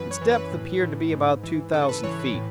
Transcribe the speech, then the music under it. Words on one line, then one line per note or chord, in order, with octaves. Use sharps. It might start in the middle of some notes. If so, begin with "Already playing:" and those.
Its depth appeared to be about two thousand feet.
Already playing: F#2 E3 B4
C#5
E3
B4
A2
A2
G#2
E3
C#3 A4
B4
E3 C#5
B4
A2